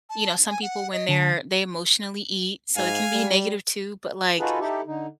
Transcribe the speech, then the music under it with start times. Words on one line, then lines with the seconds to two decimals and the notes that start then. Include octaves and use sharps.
you know, some people when they're they emotionally eat, so, it can be negative too, but like
0.09 A5
0.50 G#5
0.62 F#5
0.93 D#5
1.09 D3 A5
2.76 G#2 F5 G#5
3.13 G3
4.38 D#4 F4 F#4 G#4 A4 B4
4.60 D#4 E4 G4 A4
4.87 D3 D#4